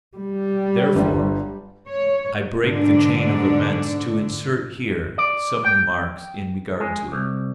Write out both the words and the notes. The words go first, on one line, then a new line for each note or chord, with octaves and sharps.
Therefore I break the chain of events to insert here some remarks in regard to it.
G3
G1
C#5
G#2 B2 D3 D4
D5
G5
G#3
C2